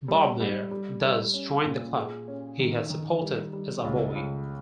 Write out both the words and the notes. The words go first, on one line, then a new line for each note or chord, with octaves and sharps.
Bodmer thus joined the club he had supported as a boy.
G3
G3
G3
G3
C#4
A#2
G#4
C#4
D#3
D#3
G3
G3
C#2
C#2